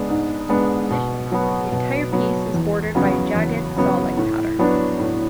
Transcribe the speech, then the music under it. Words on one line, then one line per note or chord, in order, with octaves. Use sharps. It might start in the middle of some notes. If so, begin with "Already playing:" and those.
Additionally, the entire piece is bordered by a jagged saw-like pattern.
Already playing: G#3 B3 D4
G#2
G#3 B3 D4
B2
F#3 B3
B2
F#3 B3
E2
C#3 F#3 B3
E2
C#3 F#3 B3
A2
F#3 B3 D4
A2